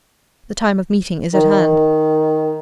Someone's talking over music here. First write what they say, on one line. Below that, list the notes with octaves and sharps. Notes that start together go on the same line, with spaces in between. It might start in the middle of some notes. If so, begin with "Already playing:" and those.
The time of meeting is at hand.
D#3